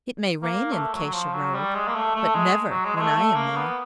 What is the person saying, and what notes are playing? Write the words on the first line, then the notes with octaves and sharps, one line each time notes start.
It may rain in Acacia Road, but never when I am there.
A#3
A3
F#3
F3
F#3
G3
G#3
A#3
A3
A3
G#3
F#3
G#3
G#3
A3
A3
A#3
B3